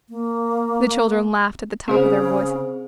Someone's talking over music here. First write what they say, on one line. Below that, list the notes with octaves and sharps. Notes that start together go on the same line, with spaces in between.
The children laughed at the top of their voices.
A#3
C#3 C4 G#4 C5